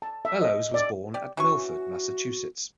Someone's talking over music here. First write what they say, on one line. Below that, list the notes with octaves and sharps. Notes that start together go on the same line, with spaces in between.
Bellows was born at Milford, Massachusetts.
A5
E5
D#5
D5
G4 D5
E3 C#4 F#4 C#6